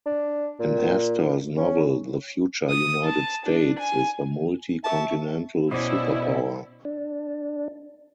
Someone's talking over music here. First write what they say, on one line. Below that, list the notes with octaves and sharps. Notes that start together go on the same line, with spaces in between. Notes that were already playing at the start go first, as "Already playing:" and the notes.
In Astor's novel, the future United States is a multi-continental superpower.
D4
A#2
C#4
D#6
A5
D4
G#5
E5 A5 C#6
B2 C#4 E4 C5 D5 D#5
D4